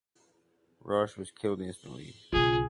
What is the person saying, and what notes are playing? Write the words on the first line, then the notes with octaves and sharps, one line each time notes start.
Rosch was killed instantly.
B1 C#3 F4 G#4